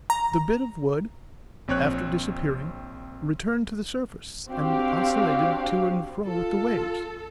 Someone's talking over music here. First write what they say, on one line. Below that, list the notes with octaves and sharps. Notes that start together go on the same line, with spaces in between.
The bit of wood, after disappearing, returned to the surface and oscillated to and fro with the waves.
A#5
A#1 C4 C#5 F#6
C4 D4 F#4 G4 F5
F4 A4